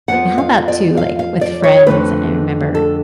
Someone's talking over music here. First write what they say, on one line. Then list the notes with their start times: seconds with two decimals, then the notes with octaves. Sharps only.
And, how about too, like, with friends? I remember,
0.08 F2 F3 B3 F#5
0.38 F5
0.68 D5
0.97 F5
1.19 F5
1.41 D5
1.63 C#5
1.86 F2 D3 F3 A3 B4
2.75 A4